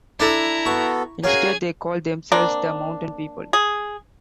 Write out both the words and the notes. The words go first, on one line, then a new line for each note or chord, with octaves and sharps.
Instead, they called themselves The Mountain People.
D4 E4 A4 A#5
B3 F#4 A4 C#6
C#4 F#4 G#4 A#4 F5 G#5
A#3 C4 D4
G#4